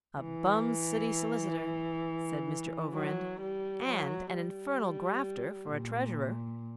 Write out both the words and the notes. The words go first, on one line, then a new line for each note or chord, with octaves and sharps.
"A bum city solicitor," said Mr. Overend, "and an infernal grafter for treasurer."
E3
F#3
G3
F#3
G3
A#2